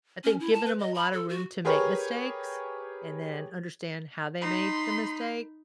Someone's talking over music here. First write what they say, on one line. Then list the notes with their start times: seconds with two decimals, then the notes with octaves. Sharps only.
I think giving 'em a lotta room to make mistakes, and then understand how they made the mistake,
0.24 C#4
0.40 E4
0.53 A5
0.66 B4
0.79 D#5
0.94 B5
1.13 A4
1.29 F#4
1.65 G4 G#4 A#4 B4 C#5
4.41 D#4 B5 C6